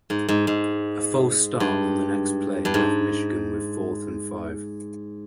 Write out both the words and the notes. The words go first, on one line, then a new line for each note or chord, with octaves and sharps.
A false start on the next play left Michigan with fourth and five.
G#2
G#2
G#2
G2
G2
G#2